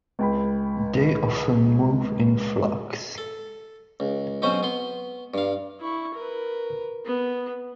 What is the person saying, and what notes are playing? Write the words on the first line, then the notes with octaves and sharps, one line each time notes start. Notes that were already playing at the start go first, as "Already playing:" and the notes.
They often move in flocks.
C#2 G5 B5
A4
C#2
B1 B2 C4 C#4 C5
B3 C6
G2 F5
E4 C#6
A#4 B4
B3